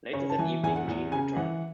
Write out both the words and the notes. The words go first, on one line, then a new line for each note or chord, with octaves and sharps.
Later that evening, Jean returns.
C#3 C#5
A5
E3 G#5
E2 G#5
F#5
E2
C#3 G#5
E3 F#5